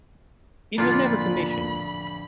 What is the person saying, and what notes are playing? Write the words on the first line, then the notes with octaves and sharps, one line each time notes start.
It was never commissioned.
A1 F2 A#2 D3 D4 F4 B5